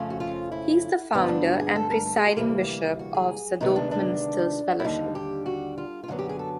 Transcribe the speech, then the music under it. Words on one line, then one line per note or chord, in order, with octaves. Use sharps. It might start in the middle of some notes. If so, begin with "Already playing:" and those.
He is the founder and presiding bishop of Zadok Ministers Fellowship.
Already playing: F2 C#3 F3 A3 C#4
F#4
F4
E4
G2 D3 G3 B3 D#4
D4
F#4
G#4
A4
A#4
A4
G#4
G4
D2 C3 E3 G3 A#3
F#4
G#4
D2 C3 D#3 G#3 B3 D#4
D4
D4
E4
D#2 D3 G3 D#4
G4
F#4
F4
F4
F#2 D3 F#3 B3 E4
G4
G#4
A4